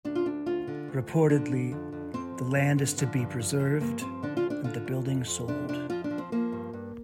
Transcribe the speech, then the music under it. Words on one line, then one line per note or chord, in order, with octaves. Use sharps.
Reportedly, the land is to be preserved and the building sold.
D2 D4
F4
D2 D4
D2 F4
D3
D2
F3
D3 D4
D3
F2
F2
F3 C4
F2
G2
D3
D3 F3
G2
F3
F3
G2 A#3
F3 C4
D3 D4
F4
D2
D4
D3 F4
D2
F2
F2
C3 D4
F2 D4
F3 F4
D4
F3
C4
F3 A#3
G2
G2